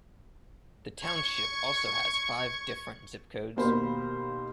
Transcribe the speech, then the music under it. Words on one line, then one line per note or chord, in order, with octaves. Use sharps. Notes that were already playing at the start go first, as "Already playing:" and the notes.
The township also has five different zip codes.
C#6 G#6
D#2 B2 A#3 A#4 C5 B5